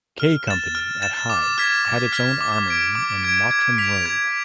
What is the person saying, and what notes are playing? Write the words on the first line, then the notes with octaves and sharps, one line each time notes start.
K Company at Hyde had its own armoury in Mottram Road.
F6
A6 E7
F6
A6 E7
D6
F6 G#6 B6
D6
F6 G#6 B6
D6
G#6 D7
D6
G#6 D7
G#6
B6 D7 F7
G#6